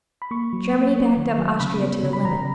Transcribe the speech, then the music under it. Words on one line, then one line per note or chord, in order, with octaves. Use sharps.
Germany backed up Austria to the limit.
B5
A#3 C#6
F#3
A#3
A#3
D#3
F#3
C#3 B5
B3
C#3
B5
C#3 A#5